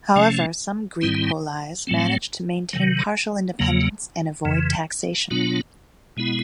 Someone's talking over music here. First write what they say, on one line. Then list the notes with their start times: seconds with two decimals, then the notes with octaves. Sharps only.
However, some Greek poleis managed to maintain partial independence and avoid taxation.
0.15 C3 F3 A3 C#4
1.01 G#2 D#3 G3 C4 E4
1.87 A2 F#3 A3 C4
2.73 C3 D#3 F#3
3.59 E2 C#3 F#3 A#3
4.45 F2 C#3 E3
5.31 B2 F#3 B3 D4 F4
6.17 B2 G#3 B3 E4